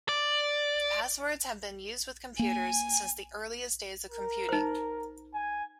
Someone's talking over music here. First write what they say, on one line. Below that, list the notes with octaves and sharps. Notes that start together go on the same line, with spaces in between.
Passwords have been used with computers since the earliest days of computing.
D5
A#3 G#5
A#4
D#4 C5
G#5